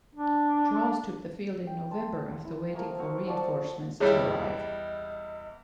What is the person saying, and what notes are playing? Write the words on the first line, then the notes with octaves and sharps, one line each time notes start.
Charles took the field in November after waiting for reinforcements to arrive.
D4
G5
A5 C6
E4
F3 A3 A#3 A#4
C4 F#4
F3 F#4 D5 A5
E2 G3 E4 G#4 C#5 D#5